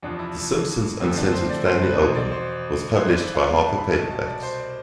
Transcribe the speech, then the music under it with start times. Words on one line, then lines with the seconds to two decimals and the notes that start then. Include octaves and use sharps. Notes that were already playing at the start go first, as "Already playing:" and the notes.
"The Simpsons Uncensored Family Album" was published by Harper Paperbacks.
0.03 E2 C3 F3 D4
0.19 E4
1.00 D2 C3 F3 C4
1.17 D4
1.33 C5
1.50 D5
1.66 C5
1.82 B4
1.98 E2 B2 C5
2.15 D5
2.32 C5
2.97 G2 E3 C5
3.09 D5
3.21 E5
3.34 F5
3.46 F5
3.61 A5
3.78 B5
3.94 C2 B2 A5
4.11 A5
4.26 D5
4.42 C5
4.59 D5